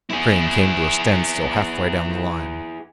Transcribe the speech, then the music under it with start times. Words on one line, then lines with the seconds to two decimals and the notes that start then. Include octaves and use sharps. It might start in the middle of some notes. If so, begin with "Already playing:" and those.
The crane came to a standstill half-way down the line.
0.10 E4 G#4